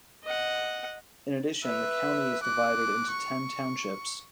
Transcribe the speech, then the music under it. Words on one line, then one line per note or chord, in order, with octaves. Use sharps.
In addition, the county is divided into ten townships.
D#5 F#5
B4 E5
D6 F#6
C#6